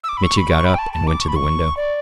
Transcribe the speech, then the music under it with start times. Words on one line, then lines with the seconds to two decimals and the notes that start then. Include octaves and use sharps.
Mitya got up and went to the window....
0.04 E6
0.09 D6
0.17 B5
0.23 C#6
0.37 B5
0.51 C#6
0.65 B5
0.74 G5
0.78 A5
0.93 A5
1.07 D6
1.21 C#6
1.28 B5
1.36 C#6
1.77 D5